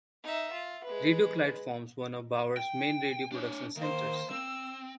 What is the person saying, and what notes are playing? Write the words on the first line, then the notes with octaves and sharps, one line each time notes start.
Radio Clyde forms one of Bauer's main radio production centres.
D#4 E5
F4
G#3 B4
G5
D4 C#5
D#3 A#3 C5
C4 E6